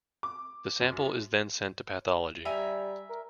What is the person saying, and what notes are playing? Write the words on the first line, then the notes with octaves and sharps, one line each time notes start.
The sample is then sent to pathology.
D6
F#2
G3 E5 G#5 A#5
A#4